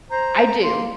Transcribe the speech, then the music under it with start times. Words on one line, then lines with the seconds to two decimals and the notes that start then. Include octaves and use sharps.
I do.
0.10 C5 A#5
0.63 A#3 C6